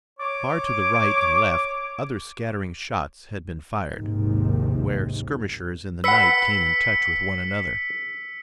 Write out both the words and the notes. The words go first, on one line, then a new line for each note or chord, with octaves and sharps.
Far to the right and left other scattering shots had been fired, where skirmishers in the night came in touch with one another.
C#5 D6
A#1 D#2 G#2 C3 D#3
B4 F#5 E6 B6 C#7